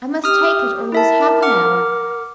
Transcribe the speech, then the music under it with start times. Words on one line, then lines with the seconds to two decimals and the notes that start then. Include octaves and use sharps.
I must take it or lose half an hour.
0.24 G4 D#6 F6
0.92 E4 A#4 E5 A5
1.42 F#5 D6 F6